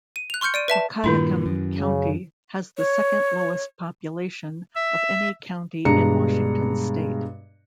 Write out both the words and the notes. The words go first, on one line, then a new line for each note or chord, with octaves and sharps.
Wahkiakum County has the second lowest population of any county in Washington state.
D#7
F#6 F7
C6 C#6 F6 G6 C#7
D5 D7 D#7
B4 E5 A5 E7
G2 A#2 D#3 E4 C6
F#2
C#3
C#5
E5
G2 B2 G#3 D4 A#5 C#7